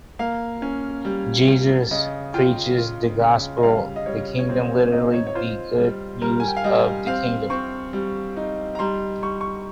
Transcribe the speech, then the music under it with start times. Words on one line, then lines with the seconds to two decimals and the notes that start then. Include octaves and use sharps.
Jesus preaches the gospel of the kingdom, literally the good news of the kingdom.
0.19 A#3 F5
0.62 C#4
1.05 G3
1.48 G3
1.91 C#3 D#5
2.34 F4 G5
2.77 F4
3.20 C#3
3.58 D#5
3.63 G3 F5
3.96 D#5
4.06 G3 C#5
4.39 C#5
4.49 C4 C5
4.92 D#4 D#5
5.13 C#5
5.27 C#5
5.35 F4 C5
5.78 G3
6.21 G3 A#4
6.40 G#5
6.48 G5
6.57 F5
6.64 G3 D#5
7.07 C4 F5
7.50 C4 C#6
7.93 G3
8.37 D#4
8.75 A#5
8.79 G3 C6
9.23 G3 C#6
9.41 C#6